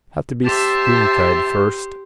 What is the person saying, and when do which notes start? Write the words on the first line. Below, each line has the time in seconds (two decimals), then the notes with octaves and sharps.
Have to be spoonfed first.
0.44 G4 C5 E5 A5